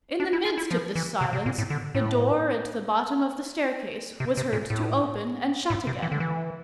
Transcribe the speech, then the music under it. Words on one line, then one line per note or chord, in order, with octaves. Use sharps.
In the midst of this silence, the door at the bottom of the staircase was heard to open and shut again.
D4
E4
F4
E4
F3
E3
C3
C3
A#2
A2
D3
A2
C3
C3
A#2
A2
A2
C3
E3
D3
E3